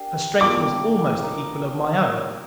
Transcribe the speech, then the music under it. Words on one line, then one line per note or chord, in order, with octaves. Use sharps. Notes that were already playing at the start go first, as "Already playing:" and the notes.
Her strength was almost the equal of my own.
Already playing: D4 G4 A#4 F5
D4 G4 A#4 F5 D6
A#3 D#4 A#4
A#3 D#4 A#4